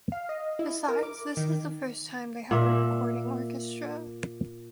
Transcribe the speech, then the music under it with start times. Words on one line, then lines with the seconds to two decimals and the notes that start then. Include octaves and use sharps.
Besides, this is the first time they have a recording orchestra.
0.12 F5
0.29 D#5
0.59 E4
0.88 A#4
1.03 D6
1.37 D#3
2.51 A#2 E5